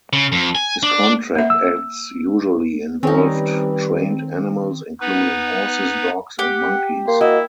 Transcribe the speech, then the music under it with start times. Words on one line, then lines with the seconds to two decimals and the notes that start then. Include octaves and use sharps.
His contract acts usually involved trained animals including horses, dogs and monkeys.
0.13 C#3
0.32 F2
0.55 G#5
0.83 D4
1.35 A#3 E5
1.50 E6
3.03 D#3 G3 C4 C#4 D#4 B4
5.01 B3 D#4 B4
6.39 G4 F#5
7.08 A#3 C6
7.21 E4 F#4 D#5